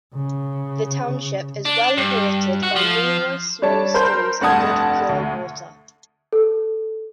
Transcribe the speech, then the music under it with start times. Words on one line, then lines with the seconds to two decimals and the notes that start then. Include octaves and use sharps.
The Township is well watered by numerous Small Streams of good pure water.
0.14 C#3
1.65 D4
1.97 G2
2.63 F#4
2.76 F3
3.62 G3 D4 C#5 A5
3.94 A#4 C5 B5 C6 G6
4.41 F1 G2 F#5 A5 D#6 G#6
5.09 D2
6.33 A4